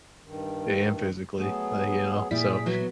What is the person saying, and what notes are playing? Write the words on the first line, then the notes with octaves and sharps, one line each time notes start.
and physically, like, you know, so,
G2 D#3
F#3 A3 B3 G#4
A#2 G3 E4 G#4 B6
F#3 B3